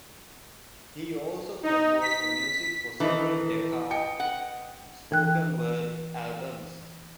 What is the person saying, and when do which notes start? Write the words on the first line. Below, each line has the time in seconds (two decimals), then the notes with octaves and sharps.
He also composed the music for several Decca spoken word albums.
1.63 D#4
2.01 B6
2.39 B6
3.00 D#3 E3 D#4 A4
3.90 D#5 G5 C#7
4.20 F#5
5.12 E3 G5 F#6